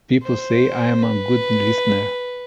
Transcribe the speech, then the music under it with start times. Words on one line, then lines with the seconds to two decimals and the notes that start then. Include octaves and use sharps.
People say I'm a good listener.
0.23 C5
1.02 B4